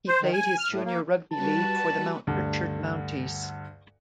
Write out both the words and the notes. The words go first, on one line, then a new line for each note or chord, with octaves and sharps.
He played his junior rugby league for the Mount Pritchard Mounties.
C5
D#3
G#5
F6
A2
A#3
G3 F#4 B4 A5
D2 G2 D3